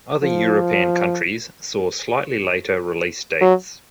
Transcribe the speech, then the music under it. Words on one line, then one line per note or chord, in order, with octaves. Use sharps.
Other European countries saw slightly later release dates.
F3
F#3